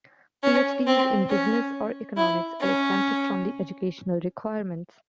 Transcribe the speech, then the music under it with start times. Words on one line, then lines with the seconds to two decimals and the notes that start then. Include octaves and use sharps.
PhDs in business or economics are exempted from the educational requirements.
0.43 C#4
0.87 C4
1.29 C#4
2.17 E4
2.60 C#4